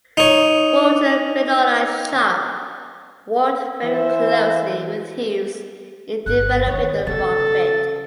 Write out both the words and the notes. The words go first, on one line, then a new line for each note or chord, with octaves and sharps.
Walter Benona Sharp worked very closely with Hughes in developing the rock bit.
D#4 C#5
E3 C5 E5
G1 F#6
D#3 C#5
C#3 A4 A6